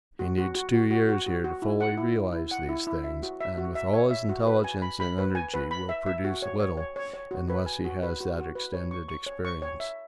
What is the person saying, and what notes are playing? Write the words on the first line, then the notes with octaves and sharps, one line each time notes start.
He needs two years here to fully realise these things, and with all his intelligence and energy will produce little unless he has that extended experience.
F#4
F#4
F#4
F#4
F#4
F#4
F#4
F#4
E4
F#5
E4
E4
E4
F#5
E4
E4
E5
F#4
E5
F#4
E5
C#5
E5
F#4
B4
G#5
B5
B5
B4
G#5
B4
B5
E5
E5
F#4
C#5
C#5
C#5
C#5
C#5
F#4
B4
G#5
F#4
B4
F#4
F#4
B4
C#5
C#6
C#6
C#5
C#6
C#5
E5